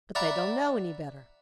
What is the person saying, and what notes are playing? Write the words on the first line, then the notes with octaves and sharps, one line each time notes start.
'But they don't know any better.
D5 E5 F#5 A#5 B5